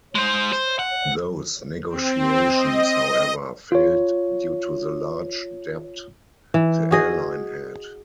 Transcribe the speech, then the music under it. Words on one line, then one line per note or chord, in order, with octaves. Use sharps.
Those negotiations, however, failed due to the large debt the airline had.
G#3 C5
C5
F#5
C4
D#5
F4 C#5
E3
F#4 G#4 D#5